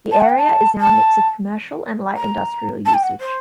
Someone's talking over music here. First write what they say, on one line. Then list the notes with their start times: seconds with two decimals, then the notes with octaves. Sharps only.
The area is now a mix of commercial and light industrial usage.
0.11 A5
0.21 F#5
0.29 G5
0.38 A5
0.81 A5
2.17 A#5
2.86 A5
2.94 G5
3.03 F#5
3.20 C5